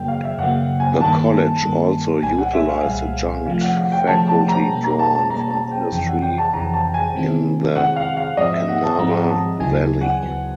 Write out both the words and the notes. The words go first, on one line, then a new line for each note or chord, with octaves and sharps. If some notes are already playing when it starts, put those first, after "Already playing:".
The college also utilized adjunct faculty drawn from industry in the Kanawha Valley.
Already playing: F#2 C#3 F#3 A#3 G5
F5
E5
F#2 C#3 F#3 A#3 F#5
G#5
G2 D#3 G3 A#3 A5
G2 D#3 G3 A#3
C2 A#2 G3 G#5
F#5
E5
F5
C2 A#2 G3 F5
C3 F3 A3 F5
F#5
F#5
G5
C3 F3 A3 A5
A5
A#5
B2 G3 A#3 C#4
A#5
A5
A5
B2 G3 A#3 C#4 A#5
A5
G5
F2 C3 E3 G5
F#5
G5
A5
F2 C3 E3 A#5
A5
G#5
C3 D#3 G#3 C4 E4
C3 D#3 G#3 C4 E4 F#5
F5
F5
G#2 F3 G#3 C4 D#5
E5
F#5
A5
G#2 F3 G#3 C4 A#5
A#5
A5
D2 C#3 F#3 B3 E4 G#5
F#5
D2 C#3 F#3 B3 E4